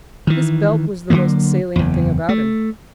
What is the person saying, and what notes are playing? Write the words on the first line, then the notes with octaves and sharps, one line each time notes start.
This belt was the most salient thing about him.
D#3 E3
D3 E3 F#3 A#3
F#1 E2
A3